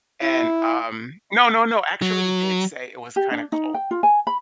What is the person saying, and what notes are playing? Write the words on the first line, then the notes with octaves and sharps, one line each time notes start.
And, um no, no, no, actually, he did say it was kinda cold.
E4
F#3
G4
D4
D#4
G5
F4
G#5
B5